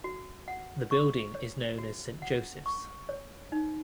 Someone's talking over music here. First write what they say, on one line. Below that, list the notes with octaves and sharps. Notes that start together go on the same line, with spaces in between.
The building is known as Saint Joseph's.
F#4
F#5
C#6
C#5
F#4
F#5
C#6
C#5
D#4